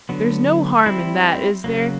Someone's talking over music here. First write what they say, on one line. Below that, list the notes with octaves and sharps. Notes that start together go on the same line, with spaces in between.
There's no harm in that, is there?
D3 F#3 B3
G3 C4 E4
C#3 F#3 A#3